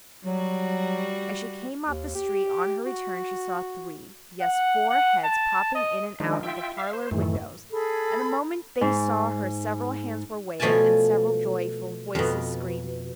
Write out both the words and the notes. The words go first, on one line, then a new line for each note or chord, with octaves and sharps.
As she came up the street, on her return, she saw three, yes, four heads popping in and out of the parlor windows, and the moment they saw her, several hands were waved, and several joyful voices screamed...
F#3 G3 F#4
D#2
G4
F#4
F#5
F#5
A5
D#5
D#3 F3 G#3 D4 D#4
F4 E5 G5
E5 F5
C5
F#2 A2 D#3 E3 A3
G#4 A4 B5
G#2
B2 F3 A3 D5 G#5 A5
F2 B2